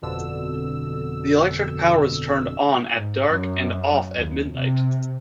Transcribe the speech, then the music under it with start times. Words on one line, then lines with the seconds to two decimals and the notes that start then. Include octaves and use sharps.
The electric power was turned on at dark and off at midnight.
0.02 G1 F2 B2 D3 E6
2.96 G#2
3.26 F#2
4.15 D#2
4.53 C3